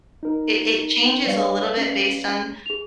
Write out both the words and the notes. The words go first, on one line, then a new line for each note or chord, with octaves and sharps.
It it changes a little bit based on
D#4 A#4
G5
G3 D4 B4 C#5 D5 F5
C#4
G#4 F7